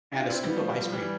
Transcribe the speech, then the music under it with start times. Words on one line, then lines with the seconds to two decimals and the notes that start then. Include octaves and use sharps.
and a scoop of ice cream.
0.12 E4
0.17 D4 F4
0.30 C4 E4
0.43 G3 B3
0.56 F3 A3
0.70 G3
0.81 F3
0.92 E3 G3